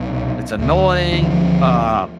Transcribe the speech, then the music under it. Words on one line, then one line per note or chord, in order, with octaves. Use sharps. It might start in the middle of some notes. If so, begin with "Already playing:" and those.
it's annoying, uh,
Already playing: C2 B2
D2 D3
D#3
E3
F3